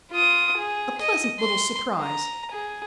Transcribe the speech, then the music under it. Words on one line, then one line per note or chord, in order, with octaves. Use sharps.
A pleasant little surprise.
F4 D#6
G#4
D#5
C6
A#5
G#4